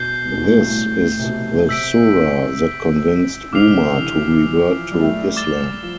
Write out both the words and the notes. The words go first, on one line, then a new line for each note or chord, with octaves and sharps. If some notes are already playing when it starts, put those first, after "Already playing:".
This is the Sura that convinced Umar to revert to Islam.
Already playing: B2 G6 C7 G7
B2
A2
G2
A2
C3
B2
C3 E6 B6 D7
D3 D6 F6 C7 F7
C3
D3
E3
E3
F3
G3
A3
G3
D6 A6 E7 G7
F3